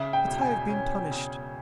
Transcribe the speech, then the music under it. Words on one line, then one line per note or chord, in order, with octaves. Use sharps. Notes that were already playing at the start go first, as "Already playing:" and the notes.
"But I have been punished."
Already playing: C#3 E5
G5
E1
G#5
C#4
C#3